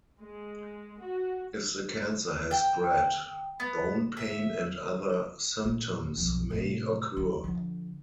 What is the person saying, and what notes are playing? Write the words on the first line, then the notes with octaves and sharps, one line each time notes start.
If the cancer has spread, bone pain and other symptoms may occur.
G#3
F#4
G5
B3
E5
A#2
B1 F2
A2 C3
D#3
D3 F3